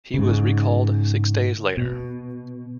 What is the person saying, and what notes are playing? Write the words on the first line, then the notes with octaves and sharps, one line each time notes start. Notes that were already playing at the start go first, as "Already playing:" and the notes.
He was recalled six days later.
G#2 C#3
B2